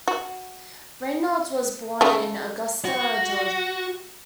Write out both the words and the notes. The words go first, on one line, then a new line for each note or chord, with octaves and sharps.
Reynolds was born in Augusta, Georgia.
F#4
C#3 A3
F#4